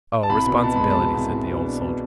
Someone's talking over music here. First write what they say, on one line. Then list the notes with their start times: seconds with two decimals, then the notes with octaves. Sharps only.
Responsibility!' said the Old Soldier.
0.23 A5
0.30 C2 B5
0.46 B2
0.63 B2 A5
0.76 G#3 B5
0.90 A5
0.97 B2
1.14 C2
1.31 C2
1.47 B2
1.65 D4
1.81 B2